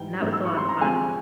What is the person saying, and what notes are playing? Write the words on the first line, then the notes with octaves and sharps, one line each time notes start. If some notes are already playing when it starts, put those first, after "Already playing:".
and that was a lot of fun.
Already playing: G#2 E3 G3 G5
G#2 E3 G3
E6
C#6
C6
A#5
C3 F3 G#3 C4 G#5